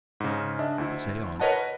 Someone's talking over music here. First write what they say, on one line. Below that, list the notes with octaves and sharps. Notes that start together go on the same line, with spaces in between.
"Say on."
G#2 C#3
D4 D#5 E5
D2 E4
A#4 B4 C#5 D#5 F#5 A5
B4